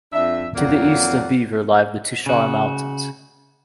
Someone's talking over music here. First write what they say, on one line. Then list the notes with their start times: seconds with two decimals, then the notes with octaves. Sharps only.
To the east of Beaver lie the Tushar Mountains.
0.13 F2 D4 E5
0.56 F2 F#3 A#3 D5 F#5
2.26 C#3 F#4